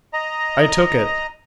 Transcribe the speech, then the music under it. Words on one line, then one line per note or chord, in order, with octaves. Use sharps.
I took it.
D#5 A#5